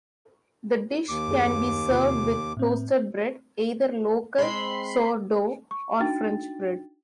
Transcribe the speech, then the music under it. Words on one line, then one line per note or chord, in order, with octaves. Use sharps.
The dish can be served with toasted bread, either local sourdough or French bread.
D#2 D6
F#2 G#4
E2 C3 F4
A2 C4
G#3 C4 B5 C6 C7
C#6
D4 D#4 F#4 G5 A6